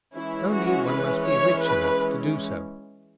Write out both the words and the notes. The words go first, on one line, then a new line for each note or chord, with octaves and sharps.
Only, one must be rich enough to do so.
E3 G#3 C#4 E4
F#4
B4
C#5
B4